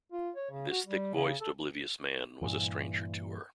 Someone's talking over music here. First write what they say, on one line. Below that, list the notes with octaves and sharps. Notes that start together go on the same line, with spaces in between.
This thick-voiced, oblivious man was a stranger to her.
F4
C#5
C#3
F#4
G3
C#3
A4
G2 A#2 E3